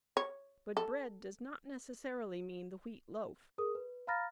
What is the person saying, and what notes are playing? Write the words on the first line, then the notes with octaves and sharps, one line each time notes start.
But "bread" does not necessarily mean the wheat loaf.
C#5
A4
G#4 A#4 D#6
B4
F5 A#5 B5 F6 A6 A#6